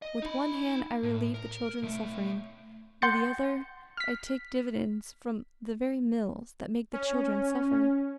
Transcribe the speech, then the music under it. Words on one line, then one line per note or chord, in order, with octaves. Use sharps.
With one hand I relieve the children's suffering; with the other I take dividends from the very mills that make the children suffer.
D#5
D#4 B5
A2
A#4
B1 A3
F#5 C6 G6 A6 C#7
F6 B6
C#4